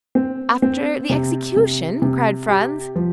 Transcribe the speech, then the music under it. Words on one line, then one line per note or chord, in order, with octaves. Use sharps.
"After the execution?" cried Franz.
C4
C4
C3
C3
C3
G4
F3